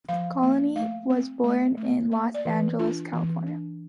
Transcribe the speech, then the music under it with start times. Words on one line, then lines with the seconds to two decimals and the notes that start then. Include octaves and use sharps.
Cooley was born in Los Angeles, California.
0.09 F3 F5
0.42 A#3
0.76 A3 F5
1.10 C4
1.44 A3
1.77 A3
2.12 A#3 E5
2.34 D5
2.45 E3
2.79 D4 F4
3.13 E3
3.46 D4